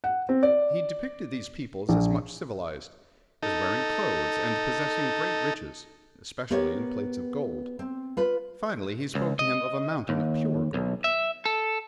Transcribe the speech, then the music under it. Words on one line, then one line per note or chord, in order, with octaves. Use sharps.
He depicted these people as much civilized, as wearing clothes, and possessing great riches, especially in plates of gold; finally, he spoke to him of a mountain of pure gold.
F#5
C4
D5
A#1
D#4 A4
B3 G4 A#4 C#5
C4
F4 B4
C#2
D#5
D#2
B1
E5
A4